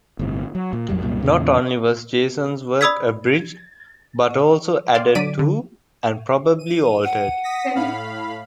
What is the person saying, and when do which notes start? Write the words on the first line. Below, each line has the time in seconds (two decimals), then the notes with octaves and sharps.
Not only was Jason's work abridged, but also added to, and probably altered.
0.19 G1 A2 C3
0.55 F#3
0.73 A#2
0.89 A#1 F2 F#3 G3
1.01 C2 F#2 A#2 G3
1.22 E2 A#2 C#3
2.81 D5 B5 D#6 E6 G#6 B6
4.95 D5 F5 C6
5.15 D3 F#3 D5 B6 D7 D#7
5.39 D3
6.59 D#7
7.05 F#5
7.43 D#6 A#6 B6
7.75 A2 F5 B5